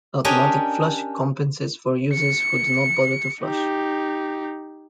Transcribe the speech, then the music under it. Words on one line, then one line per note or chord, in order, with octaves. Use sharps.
Automatic flush compensates for users who do not bother to flush.
C#4 D4 G4 A#4 C#5 D#5
C#7
D#4 G4